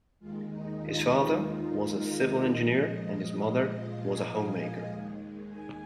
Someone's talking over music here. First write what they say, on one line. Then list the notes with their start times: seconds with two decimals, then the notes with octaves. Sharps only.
His father was a civil engineer and his mother was a homemaker.
0.20 D#2 D#3 G#3 F4
0.49 D#4
0.79 F4
1.96 A#4
2.25 D#5
2.54 A#2 F3 G#3
3.72 F5
4.01 G#5
4.30 F5
4.89 D#2 D#3 G#3
5.48 G#5